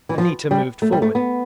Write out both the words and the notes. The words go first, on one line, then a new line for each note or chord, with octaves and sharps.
Anita moved forward.
E3
F3
G3
A3
G3
A3
B3